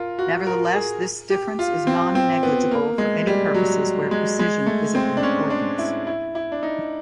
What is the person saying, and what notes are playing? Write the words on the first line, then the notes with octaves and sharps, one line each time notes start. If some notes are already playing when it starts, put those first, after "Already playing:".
Nevertheless, this difference is non-negligible for any purposes where precision is of importance.
Already playing: F4 A#4
F#4
A#4
G#4
G4
F4
C4
C4
B3
A#3
G#3
G3
F#3
G#3
G#3
A3
C4
D4
C#4
D4
E4
E4
E4
D4
D#4